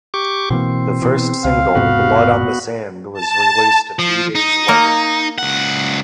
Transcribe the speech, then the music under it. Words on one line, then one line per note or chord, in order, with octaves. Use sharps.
The first single, "Blood on the Sand", was released a few days later.
G4 C#6 D6
B2 E3 A#3 C4
B2 E3
C#2 F5
E1 G#2 C3 B3 F#4
A5
F3
D#4
A#3 A#4
C#2 F#5